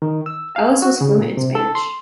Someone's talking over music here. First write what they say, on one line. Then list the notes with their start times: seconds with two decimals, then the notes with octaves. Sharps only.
Ellis was fluent in Spanish.
0.02 D#3
0.26 E6
0.56 F5
0.82 F#4
1.01 C#3
1.18 A#2
1.37 C3
1.55 A4
1.75 C6